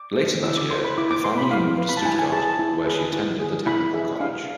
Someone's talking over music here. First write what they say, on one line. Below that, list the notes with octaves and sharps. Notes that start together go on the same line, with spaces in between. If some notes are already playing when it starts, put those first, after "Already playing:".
Later that year, her family moved to Stuttgart, where she attended the Technical College.
Already playing: D6
A4 C5
E4 E6
D6
A4 C5 C6
B5
E4 D6
D6
B4 C6
B5
E4 F5
B4
B5
A5
E4 G#5
G#5
G#4 B4 A5
A5
E4
G#4 B4
E4
G#4 B4
E4 B5
G#4 B4 E5
D4 F5